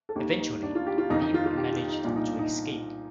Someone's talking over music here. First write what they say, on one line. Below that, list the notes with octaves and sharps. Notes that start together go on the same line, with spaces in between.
Eventually, Beep managed to escape.
A4
D#2 D#3 G4
D#4
D4
F4
G4
F4
F2 D#3 D#4
D#4
F4
F4
G4
F4
D#4
C2 A#2 F3 D4
D#4
D4
D#4